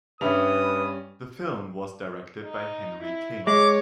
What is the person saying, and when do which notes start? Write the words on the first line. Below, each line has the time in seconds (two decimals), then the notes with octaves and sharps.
The film was directed by Henry King.
0.21 G2 G3 C#4 B4 E5 D#6 F7
2.45 D#4
3.03 E4
3.47 G#3 C#5 D6